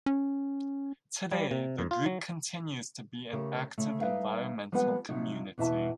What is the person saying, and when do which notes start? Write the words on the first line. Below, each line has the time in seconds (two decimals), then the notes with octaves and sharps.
Today the group continues to be an active environmental community.
0.06 C#4
1.32 G3
1.51 C3
1.79 F2
1.91 F4
2.06 F#3
3.33 C#3 A3 G4 A#4
3.78 C#3 A3
4.01 G3 D#4 B4 E5 F5
4.72 F3 G3 G#3 B3 B4 F#5
5.09 C3 F3 F#3 D#4
5.58 E2 B2 E4 D#5 E5 A5